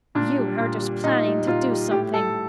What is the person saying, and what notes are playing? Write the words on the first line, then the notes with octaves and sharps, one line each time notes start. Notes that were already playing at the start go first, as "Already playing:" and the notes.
"You heard us planning to do something."
A#2 D4
G3
A#2
G3
A#2 D#4
G3
A#2 F4
G3
A2 G4
G3 A4